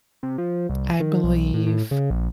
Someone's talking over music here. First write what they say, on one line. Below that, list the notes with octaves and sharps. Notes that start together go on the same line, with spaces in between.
I believe,
C3
F3
C2
D#3
B1
A2
A2
C#3
A#1